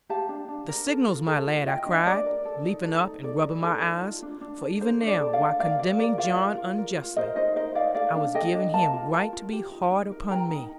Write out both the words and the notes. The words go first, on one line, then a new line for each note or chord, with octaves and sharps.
'The signal, my lads,' I cried, leaping up and rubbing my eyes; for even now, while condemning John unjustly, I was giving him right to be hard upon me.
G4 F5 A5
D4
D4
A#4
A4
F4
A4
F4
F4 D#5 G5
D4
D4 D5
A#4
A4
D#4
A4
D#4
A4 D5
D#4
A4
D#4
F4
D4
D4
A4
A4 C5
D4
D5
A4
D5 F5
D4
A#4 D5 F5
F4 D5
A#4 D5
F4 D5 F5
A#4
F4
A#4
F4
A#4 C5 D#5
D#4 C5 D#5
A#4 C5 D#5
D#4 D5 F5
A4 D5 F5
D4
A4 D#5 G5
D4
A#4 F5 A5
F4
A#4
F4
G4
D#4
D#4
A#4
A#4 G5 A#5
D#4